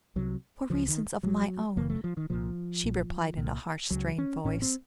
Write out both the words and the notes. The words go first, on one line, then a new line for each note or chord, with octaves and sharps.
"For reasons of my own," she replied in a harsh, strained voice.
C2 C3 F#3
C#2 C#3 F3
D#3
A1 A2 F#3
F#1 F#2 C#3 A#3
A3
F3
D#3
C2 A#2 F3
A#1 A#2
C2 A#2
C#2 C#3 F#3
C#4
A1 A2 C#4
C4